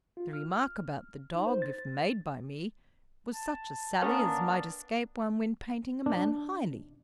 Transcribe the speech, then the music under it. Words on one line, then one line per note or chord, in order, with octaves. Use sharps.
The remark about the dog, if made by me, was such a sally as might escape one when painting a man highly.'
F4
F6
D#4
C5
A6
A5
A#3 B3 C#4 D4
D4